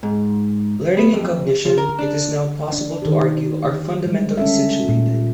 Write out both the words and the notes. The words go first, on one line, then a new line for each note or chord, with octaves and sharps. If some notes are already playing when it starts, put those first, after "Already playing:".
Learning and cognition, it is now possible to argue, are fundamentally situated.
G#2
B3
F2
F3
A#4
D4
D4
D#3 G4
G4
G3 G#3
C#4 A4 E5
A#2